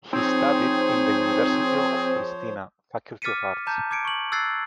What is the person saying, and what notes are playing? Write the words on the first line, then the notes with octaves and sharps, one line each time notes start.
He studied in the University of Pristina, Faculty of Arts.
F3 C4 D#4 G#4 C5 C#5
D6 F6 A6 B6 C#7 D#7
A5 A#5 D6 G6
D6 G#6 C#7 D7
C#6 F#7
E6 F#6 G#6 A6 C7